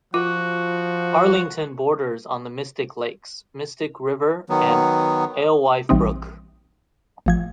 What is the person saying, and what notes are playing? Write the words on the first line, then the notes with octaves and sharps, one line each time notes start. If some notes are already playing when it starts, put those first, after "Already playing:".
Arlington borders on the Mystic Lakes, Mystic River, and Alewife Brook.
F3 F4 F#4
D#3 F#3 B3
A#1 E3 G3 C4 D#4
A1 F3 G#6